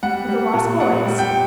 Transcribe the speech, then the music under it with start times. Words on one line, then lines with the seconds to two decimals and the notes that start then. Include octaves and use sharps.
"With the lost boys."
0.03 G3 F#5
0.28 G3
0.54 A#2
0.80 A#2 F#5
1.06 G3
1.19 G5